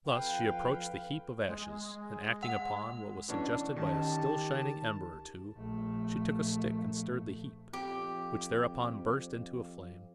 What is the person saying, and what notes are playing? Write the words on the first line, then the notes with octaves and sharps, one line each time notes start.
Thus she approached the heap of ashes, and acting upon what was suggested by a still shining ember or two, she took a stick and stirred the heap, which thereupon burst into a flame.
F2 B4 F5 G5
G#3
F#5
B2 E3 C#4 D4
D#3 C#4 G4 A5
A#1 A3
F2 G4